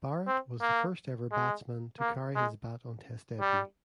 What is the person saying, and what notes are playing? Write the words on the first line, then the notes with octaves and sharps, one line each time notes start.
Barrett was the first ever batsman to carry his bat on test debut.
C4
A#3
G#3
A#3
G#3
G3